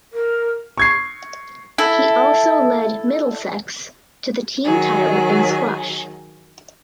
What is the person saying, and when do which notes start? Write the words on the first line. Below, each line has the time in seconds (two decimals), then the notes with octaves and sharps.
He also led Middlesex to the team title in squash.
0.13 A#4
0.78 C#6 G#6 C7
1.78 E4 A4
4.63 D#3 F#3 G#4